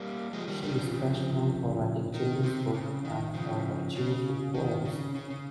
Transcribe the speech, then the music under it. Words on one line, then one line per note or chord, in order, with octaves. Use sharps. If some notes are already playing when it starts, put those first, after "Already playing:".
She is best known for writing children's books, and for her cheerful poems.
Already playing: G3 A#3
F3 G#3
D#3 G3
D#3 G3
C#3 F3
D#3
C3
C#3
D#3
C#3 F3
C#3
D#3
C#3
C#3
C#3